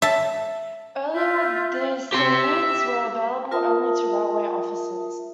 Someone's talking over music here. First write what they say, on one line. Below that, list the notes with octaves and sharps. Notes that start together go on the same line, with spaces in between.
Earlier, these saloons were available only to railway officers.
E5 A5
F4 E5 G6
G4 E5 C6
F4 A#4 E5 A5 D#6